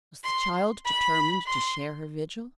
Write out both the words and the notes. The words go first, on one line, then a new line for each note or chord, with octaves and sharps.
Was the child determined to share her vigil?
C6
B5
C6